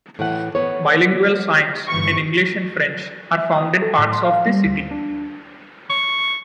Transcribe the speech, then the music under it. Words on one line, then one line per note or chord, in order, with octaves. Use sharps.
Bilingual signs, in English and French, are found in parts of the city.
A2 E3 F#5
B3 C#5
G1 E3 C#6
E5
D#6
A4
A2
C6
F5
G3
D2
D4
C#6